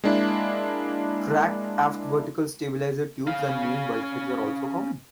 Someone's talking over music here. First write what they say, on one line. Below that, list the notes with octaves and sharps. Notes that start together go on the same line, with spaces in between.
Cracked aft vertical stabilizer tubes and main bulkheads are also common.
G#3 A#3 D4 E4
C#4 F5